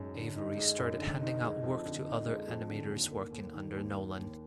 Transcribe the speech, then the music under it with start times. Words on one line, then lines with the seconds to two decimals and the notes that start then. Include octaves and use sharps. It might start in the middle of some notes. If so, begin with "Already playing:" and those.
Avery started handing out work to other animators working under Nolan.
Already playing: F#2 G#3 D#4
0.15 D3
0.36 D#4
0.57 G#3
0.79 F#2
1.00 D3
1.20 D#4
1.42 G#3
1.63 F2
1.84 D3
2.05 D#4
2.27 G#3
2.48 F2
2.69 D3
2.90 D#2
3.11 A#3
3.32 D#2
3.54 D#3
3.75 D#2
3.96 A#3
4.17 D#2